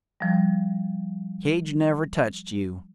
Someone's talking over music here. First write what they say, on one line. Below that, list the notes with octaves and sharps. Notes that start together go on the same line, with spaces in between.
Cage never touched you!
F3 G3